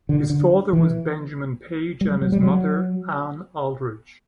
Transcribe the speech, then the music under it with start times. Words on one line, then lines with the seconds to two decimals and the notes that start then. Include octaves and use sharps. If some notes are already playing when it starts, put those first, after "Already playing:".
His father was Benjamin Page and his mother Ann Aldrich.
0.09 D3
0.30 D3
0.73 E3
2.01 G3
2.11 F#3
2.22 F#3
2.32 G3
2.43 F#3